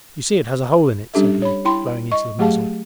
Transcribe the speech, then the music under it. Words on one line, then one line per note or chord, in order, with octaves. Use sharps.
You see it has a hole in it,' said he, blowing into the muzzle.
G3 C#4 D4 G4 A4 E5
C#5 B5
E4 G5 B5 C6
D#5 C#6
F#3 A3 G4 G#4 F5 A5